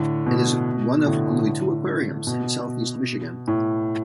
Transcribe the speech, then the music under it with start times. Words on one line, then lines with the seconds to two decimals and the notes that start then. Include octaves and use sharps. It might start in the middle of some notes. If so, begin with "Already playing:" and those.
It is one of only two aquariums in Southeast Michigan.
Already playing: A2 D3
0.26 B2
1.06 A2 D3
2.27 B2
3.48 A2